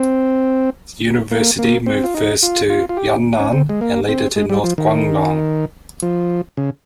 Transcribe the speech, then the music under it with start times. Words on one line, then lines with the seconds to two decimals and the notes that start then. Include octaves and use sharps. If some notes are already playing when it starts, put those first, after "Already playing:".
The university moved first to Yunnan, and later to North Guangdong.
Already playing: C4
1.31 A#3
1.59 A#3
1.86 C4
2.04 F4
2.14 D#4
2.43 F4
2.70 F4
2.89 F4
2.97 G4
3.39 C#4
3.53 C4
3.69 G#3
3.81 A#3
4.09 C4
4.36 G#3
4.49 G3
4.64 F3
4.78 D#3
6.03 F3
6.57 C#3